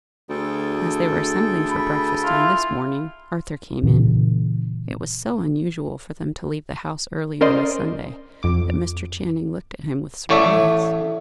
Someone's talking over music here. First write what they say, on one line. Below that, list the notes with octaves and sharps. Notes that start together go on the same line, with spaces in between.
As they were assembling for breakfast on this morning, Arthur came in. It was so unusual for them to leave the house early on a Sunday, that Mr. Channing looked at him with surprise.
D2 G#4 A4 G5
B5
E4 F4
A#2 C#3 E3 F#3
C#4 A#4 C5 D5 D#5 C6
F2 D6
A1 A2 A3 C#5 D5 E5